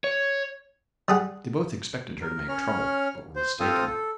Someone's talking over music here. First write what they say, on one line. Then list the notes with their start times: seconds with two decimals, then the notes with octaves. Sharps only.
They both expected her to make trouble but were mistaken.
0.04 C#5
1.08 G3 G#4 F#5
2.21 A#4
2.48 C#4 C#5 F6
3.36 C5
3.60 C4 F4 A4 C5 F5 D#6
3.86 A4